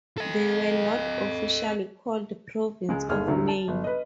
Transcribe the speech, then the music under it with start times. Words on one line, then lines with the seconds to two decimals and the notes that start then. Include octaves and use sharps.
They were not officially called Province of Maine.
0.18 A4 D#5
2.89 C#2 G#3
3.09 G1 D#2 G#4 F6
3.27 A1 D2 D3 F#3
3.48 A5
3.68 G1
3.84 B4 D#5